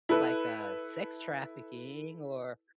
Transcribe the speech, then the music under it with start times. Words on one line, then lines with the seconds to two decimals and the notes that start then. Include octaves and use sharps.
like, uh, sex trafficking or
0.09 E4 A4 B4